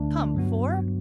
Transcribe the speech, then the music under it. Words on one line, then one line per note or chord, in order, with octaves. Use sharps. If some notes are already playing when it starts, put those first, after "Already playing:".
Come, four?
Already playing: D2 D3 A3 D4
G2 F#3 B3 F#4